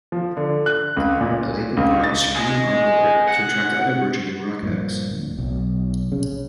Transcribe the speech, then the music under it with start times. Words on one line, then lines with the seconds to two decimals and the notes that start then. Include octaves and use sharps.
The label brought Scream on board to attract other burgeoning rock acts.
0.12 F3
0.37 D3
0.66 F#6
0.97 C#2
1.21 A#2
1.77 C#2
2.04 A6
2.36 G#4 D#5
3.28 F#5
4.63 G2 A#2 F3
5.09 D1
5.38 B1
6.12 A#1 C#3